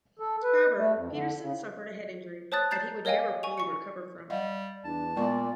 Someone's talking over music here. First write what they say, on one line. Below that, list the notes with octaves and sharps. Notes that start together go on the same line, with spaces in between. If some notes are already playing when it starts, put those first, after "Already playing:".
However, Pettersson suffered a head injury that he would never fully recover from.
A4
B4
A3
F2
D3
C#3
C5 C#5 A5 D#6 F#6 A6
A#5 G6 A6 C7 E7
A#4 C#5 D#5 F5 G5 G#5
G#5 C#6 F7
C#6 C#7
G3 D#5 F5 F#5
E2 D4 A5
A#2 G#3 B3 D5 C#6